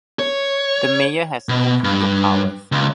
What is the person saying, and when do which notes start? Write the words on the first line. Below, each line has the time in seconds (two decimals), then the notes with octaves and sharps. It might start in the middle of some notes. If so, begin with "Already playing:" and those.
The mayor has no veto powers.
0.19 C#5
1.49 B2
1.84 G2
2.72 C#2